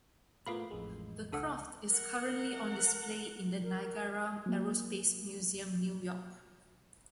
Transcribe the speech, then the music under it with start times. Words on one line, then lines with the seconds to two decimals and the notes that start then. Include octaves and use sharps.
The craft is currently on display in the Niagara Aerospace Museum, New York.
0.46 A2 A#3 B3 F4 F5 B5
0.71 A1 F2 G#3
1.32 C#2 D4 A4 F#5
1.87 A#4 F#5
3.63 A#4
4.46 F#3 A#3